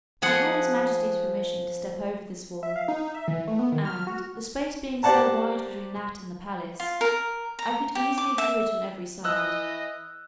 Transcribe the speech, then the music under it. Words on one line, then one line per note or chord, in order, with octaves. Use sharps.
I had his majesty's permission to step over this wall; and, the space being so wide between that and the palace, I could easily view it on every side.
F3 G#4 F#5
E5
F5
D#4
E5
E3
A3
B3
D#3
F6
F#4
G4 C5 D5 F#5 A5 A#5
F4
A#4
A#5
G4
D6
E5
E3 D#5 E6 F#6